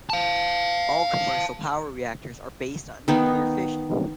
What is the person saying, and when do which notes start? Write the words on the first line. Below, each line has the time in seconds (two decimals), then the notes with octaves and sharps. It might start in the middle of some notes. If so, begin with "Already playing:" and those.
All commercial power reactors are based on nuclear fission.
0.10 F5 A5
3.08 D#3 B3 D#4